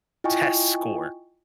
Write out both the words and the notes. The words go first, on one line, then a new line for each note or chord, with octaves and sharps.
test score,
E4 F4 D#5 G5 G#5 C#6